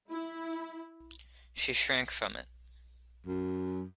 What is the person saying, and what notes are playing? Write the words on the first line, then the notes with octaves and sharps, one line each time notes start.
She shrank from it.
E4
F#2